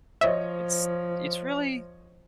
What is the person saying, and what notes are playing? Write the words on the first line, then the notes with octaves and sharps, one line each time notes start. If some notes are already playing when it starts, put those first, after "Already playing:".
It's it's really
F3 C5 C#5 D#5 E5